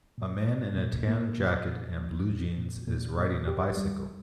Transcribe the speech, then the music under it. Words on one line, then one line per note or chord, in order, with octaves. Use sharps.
A man in a tan jacket and blue jeans is riding a bicycle.
A#2
A#2
A#2
A#3
A#2
A#2
F3
A#2
A#2
A#2
A#2
G4
G3